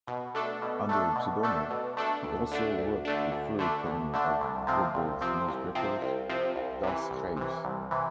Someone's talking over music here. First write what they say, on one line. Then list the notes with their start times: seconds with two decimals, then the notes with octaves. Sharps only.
Under a pseudonym he also wrote the Feuilleton of Goebbels newspapers “Das Reich”.
0.07 B2
0.35 A3 D4 A4
0.62 B2
0.89 A3 D4 A4
1.16 B2
1.43 A3 D4 A4
1.70 B2
1.97 A3 D4 A4
2.24 D2
2.51 D3 A3 D4
2.78 D2
3.05 D3 A3 D4
3.32 D2
3.59 D3 A3 D4
3.86 D2
4.13 D3 A3 D4
4.40 C2
4.67 C3 F3 C4
4.94 C2
5.21 C3 F3 C4
5.48 C2
5.75 C3 F3 C4
6.02 C2
6.29 C3 F3 C4
6.56 C2
6.83 C3 E3
7.10 C2
7.37 C3 E3
7.64 C2
7.91 C3 E3